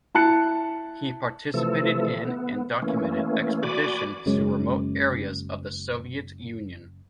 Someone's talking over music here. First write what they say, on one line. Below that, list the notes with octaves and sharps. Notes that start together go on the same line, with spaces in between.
He participated in and documented expeditions to remote areas of the Soviet Union.
E4 A5 F#6 C#7
C3 E3 F3 A3 A4
B3
E3 A3 A#3 C#4
F#4 D5 G#5 B5 D6
F#1 F#2 G#3 C#4